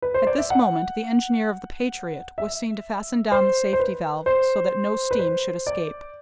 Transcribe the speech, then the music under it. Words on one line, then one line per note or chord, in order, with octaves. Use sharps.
At this moment the engineer of the Patriot was seen to fasten down the safety-valve, so that no steam should escape.
B4
C5
D5
E5
F#5
E5
C5
C5
B4
C5
B4
C5
D5